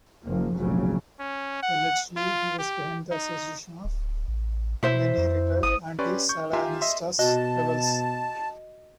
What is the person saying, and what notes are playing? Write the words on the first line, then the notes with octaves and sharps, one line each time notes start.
Allegedly, he was behind the assassination of many retired anti-sandinistas rebels.
F#1 F3 A#3
F1 A#1 C#3 F#3
C#4
F#5
F4
G4
D#4
D1
A1
B2 E4 C5 E5
F2
G#1 D#6
C#4 G4 B4 D5 C6 C#6
C#6 G6
F4 G4 E5 G#5 A#5 C6
D#5 E5 C6
B2 F#4 D#5 A5